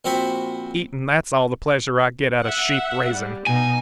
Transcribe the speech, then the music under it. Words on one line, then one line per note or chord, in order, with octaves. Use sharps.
Eating--that's all the pleasure I get out of sheep raising.
A#1 C4 F#4 C5 B5
E5 F#5
G3
B2 D#4 G#5